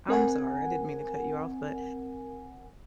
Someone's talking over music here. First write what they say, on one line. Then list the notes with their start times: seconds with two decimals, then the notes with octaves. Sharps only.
I'm sorry, I didn't mean to cut you off, but
0.09 C4 A#4 F#5 G#5